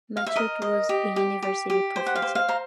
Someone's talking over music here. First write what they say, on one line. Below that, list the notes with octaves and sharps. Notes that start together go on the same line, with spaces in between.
Matute was a university professor.
F5
E5
A#4 D#5
D#5
G4
G4
G4
G4
C5
F#5
F5
C5
F5
C5 A#5